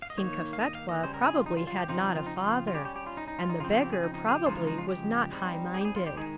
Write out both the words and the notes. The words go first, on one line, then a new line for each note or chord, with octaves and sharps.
King Cophetua probably had not a father; and the beggar, probably, was not high-minded.
F5
D#5
D#3 A#3 D#4 C#5
F5
D#5
F5
D#5
C#3 G3 C#4 C5
A#4
G#4
F4
D#4
F4
F4
G4
C#3 F3 C4 D#4 F4
D#4
F4
D#4
F4
F4
G3 C#4 G4
G4
G4
F4
D#4
D#4
F4
D#4
C#3 F3 C4 F4
F4
G4
G#4
D#4
D#4
G#4
G4
C#3 F3 G#3 D#4 F4
F4
D#4
F4
G4
G3 C4 D#4
G#4
G4
G#4
F4
G4
D#3 G#3 D#4 G#4